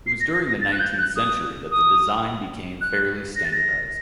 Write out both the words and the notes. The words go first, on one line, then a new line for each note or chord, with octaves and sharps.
It was during the nineteenth century that the design became fairly standardized.
C7
A#6
A#6
A#6
A6
F#6
G6
F#6
D#6
D#6
F#6
A#6
A6
A#6